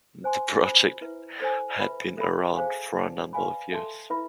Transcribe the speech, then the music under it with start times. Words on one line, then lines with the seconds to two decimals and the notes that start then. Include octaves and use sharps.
The project had been around for a number of years.
0.24 C5 G#5 C6
0.63 C5 G#5 B5
1.01 E4 B4 E5
1.40 A4 C5 G#5
1.79 B4 E5 B5
2.17 A4 E5 B5
2.55 G#4 C5 F5 G#5
2.95 B4 D5 A5
3.33 B4 D5 F5 G#5 B5
3.72 A4 E5 A5 C6
4.10 E4 B4 E5 B5